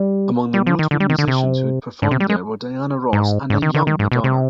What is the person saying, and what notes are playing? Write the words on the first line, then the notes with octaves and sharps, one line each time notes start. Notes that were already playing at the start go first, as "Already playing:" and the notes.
Among the notable musicians who performed there were Diana Ross and a young Madonna.
Already playing: G3
G3
F3
D#3
D3
G3
D#3
D3
C3
G#2
C3
G3
G#3
G#2
G#2
D#3
D3
D#3
G#2
B2
C3